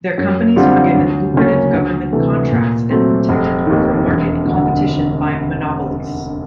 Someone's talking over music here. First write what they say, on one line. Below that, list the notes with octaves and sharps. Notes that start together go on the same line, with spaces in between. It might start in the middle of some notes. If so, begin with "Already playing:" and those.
Their companies were given lucrative government contracts and protected from market competition by monopolies.
F#2
D3 G3 C4 F4
D2
C#3 F#3 A#3 C#4
D2
C3 E3 A3
A#2
F#3 A3 C4
F1
D#2 D#3
E1
D2 D3